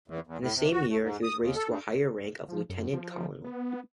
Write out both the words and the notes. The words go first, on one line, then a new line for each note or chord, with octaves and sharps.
In that same year, he was raised to a higher rank of lieutenant colonel.
E2
E2
A2
C3
F#4
A3
G#2
D#6
D#2
A4
G2
F3
F#2
F3
B3